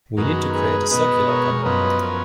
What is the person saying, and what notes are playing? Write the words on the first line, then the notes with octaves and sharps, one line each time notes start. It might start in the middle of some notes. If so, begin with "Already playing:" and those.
We need to create a circular economy.
F#2 D#3 G#3 B3 F#4 A#4
G#4 B4
B2 G#3 B3 B4 D#5
D#5
A#4 C#5
F#2 F3 B3 B4 D#5
A#4 C#5